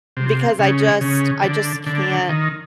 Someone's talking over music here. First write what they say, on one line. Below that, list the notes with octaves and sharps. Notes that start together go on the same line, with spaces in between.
because I just I just can't
C3
C#3
C#3
D3
D3
D#3